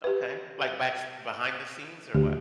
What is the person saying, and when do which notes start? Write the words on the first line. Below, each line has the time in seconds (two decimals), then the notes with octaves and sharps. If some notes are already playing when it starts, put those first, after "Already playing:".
Okay, like, backs behind the scenes or what?
0.04 G4 B4
2.14 D2 G4